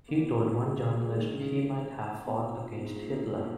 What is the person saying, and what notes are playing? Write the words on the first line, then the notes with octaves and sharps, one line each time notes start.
He told one journalist he might have fought against Hitler.
A#3
B3
A#3
G#3
A#3
G#3
G#3
D#3
C#3
B2
A#2
A#2
G#2
A#2
B2
B2
A#3